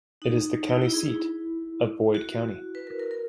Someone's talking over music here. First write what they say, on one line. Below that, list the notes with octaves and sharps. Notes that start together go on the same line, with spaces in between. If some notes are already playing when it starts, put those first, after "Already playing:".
It is the county seat of Boyd County.
D#4
E4
E4
G#4
E4
F#4
B4
A#4
A#4
A#4